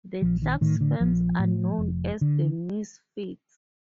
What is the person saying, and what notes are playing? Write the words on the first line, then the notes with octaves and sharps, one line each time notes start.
The club's fans are known as "The Misfits".
A#1 F3
D#3
A2 D#3
D3
A#1 F3
A2
F1
D3